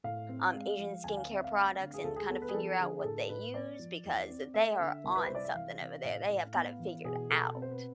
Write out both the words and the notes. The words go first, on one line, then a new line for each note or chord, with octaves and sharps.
um, Asian skincare products and kind of figure out what they use, because they are on something over there, they have got it figured out.
A2 F5
C4
G#3
F3
D2 G#5
F5
C4 E5
F5
A3
D3
G#4
D2 A4
G#4
B3 A4
B4
G#4
F3 A4
D3 G#4
G#4
A2 A4
A2 B4
B3 D5
F3
E2
C4
A3 E5
D3
C2
B4
C2 C5
D5
E5
E3 F5
C3 F5
A2 F5
A2
B3
E3
B2 G#4
B2 A4
C4
C5
B4